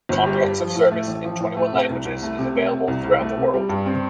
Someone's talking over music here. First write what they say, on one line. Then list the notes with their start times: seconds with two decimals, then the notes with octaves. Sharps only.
Comprehensive service in twenty-one languages is available throughout the world.
0.09 G1
0.26 G3
0.43 G2
0.59 F3
0.75 A2
0.91 A3
1.07 A1
1.25 F3
1.40 A2
1.57 A3
1.73 C3
1.90 C2
2.05 C2
2.23 A3
2.39 C3
2.55 A3
2.72 C3
2.88 C2
3.04 C2
3.21 A3
3.37 C3
3.54 G3
3.69 G2
3.86 C4